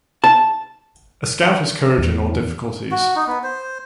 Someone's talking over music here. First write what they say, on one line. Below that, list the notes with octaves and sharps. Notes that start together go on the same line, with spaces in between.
A Scout has courage in all difficulties.
A5
E2
F#4
D#4
B3
C5